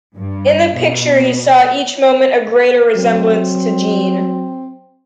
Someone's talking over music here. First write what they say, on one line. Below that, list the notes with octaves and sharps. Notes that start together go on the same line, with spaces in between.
In the picture he saw each moment a greater resemblance to Jeanne.
G2
B2
F#3 C4